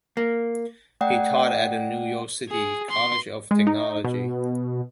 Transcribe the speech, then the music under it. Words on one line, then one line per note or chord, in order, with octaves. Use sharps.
He taught at the New York City College of Technology.
A#3
A3 D5 F#5 G5
G#4
C6
G#3
D#4
B2